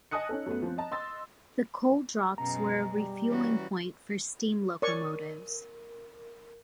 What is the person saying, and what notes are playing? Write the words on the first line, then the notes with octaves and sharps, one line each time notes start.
The coal drops were a refuelling point for steam locomotives.
D#5 G#5 A5 D#6 F#6 C#7
C#4 D#4 A4
F#2 A3 B3
F3 C4
D#5 A5 A#5
D#5 C6 E6 A6
F#2 B2 G#3 C#4 A#5
G3
E3 C#4 F#4
A#4 C#5 D5 C#6